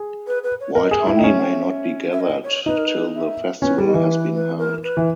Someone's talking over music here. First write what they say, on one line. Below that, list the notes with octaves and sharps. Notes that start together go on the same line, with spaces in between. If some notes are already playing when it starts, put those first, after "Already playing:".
Wild honey may not be gathered till the festival has been held.
Already playing: G#4
B4
B4
C#5
A#4 D#5
G#4
E5
E4
G5
D#4
C#4 E5
G5
E5
E5
D#5
C#5
D#4 B4
A#4
B4
E5
C#4 B4
G3
D#5
E3
B4
B4
A#4
B4
E3